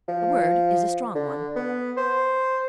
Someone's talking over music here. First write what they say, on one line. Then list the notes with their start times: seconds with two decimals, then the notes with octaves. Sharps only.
The word is a strong one.
0.08 F3
1.15 D3
1.56 B3
1.97 C5